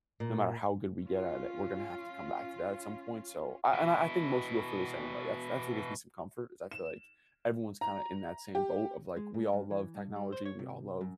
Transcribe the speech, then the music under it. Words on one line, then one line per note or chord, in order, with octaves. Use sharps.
no matter how good we get at it, we're gonna have to come back to that at some point, so, I I a and I think most people feel the same way, that's that's what gives me some comfort is I feel like everyone's kinda in that same boat of, like, we all love technology, we all love,
A#2
C#4 F4
B2 E4
E7
A#5
G4
G#3
G#2
G2
E3
G2
G3
C5
C#5
C3
F#2